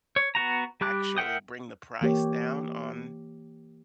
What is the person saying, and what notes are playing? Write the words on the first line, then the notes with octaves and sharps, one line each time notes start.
actually bring the price down on
C#5
B3 F#4 A#5
G3 G4 D6 F#6
A#4 E5 F#5 G5 D#6
E3 A#3 G4 C#5